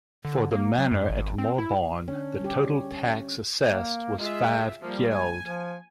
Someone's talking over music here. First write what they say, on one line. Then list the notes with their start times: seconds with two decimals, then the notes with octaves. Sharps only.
For the manor at Morborne the total tax assessed was five geld.
0.25 D3
0.52 A#3
0.79 F#3
0.91 F#2
1.10 G#1
1.38 C4
1.58 E4
2.08 D3 C#4 D4
2.40 G3 G4
3.63 A#3
4.18 G#3 F4 G#4 E5
4.82 F3 G3 A#3
5.11 G#5
5.41 F3